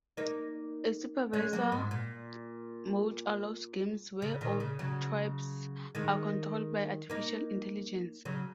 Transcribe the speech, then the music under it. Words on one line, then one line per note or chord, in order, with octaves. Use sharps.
A supervisor mode allows games where all tribes are controlled by artificial intelligence.
A#3 D#4
G#3 C#4
F#3 A#3
G#2
A#2
C#3
A#2 D#3
C#3
C#3 F#3
D#3 G#3
A#3 D#4
C#3 F#3